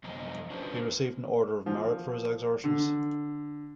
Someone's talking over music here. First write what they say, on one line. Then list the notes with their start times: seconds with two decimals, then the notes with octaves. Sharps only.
He received an Order of Merit for his exertions.
0.04 F#2 C3 F3 B3 D#5 A#5
0.50 C#4 D4 F4 F#4 B4 C5
1.66 F3
2.64 D3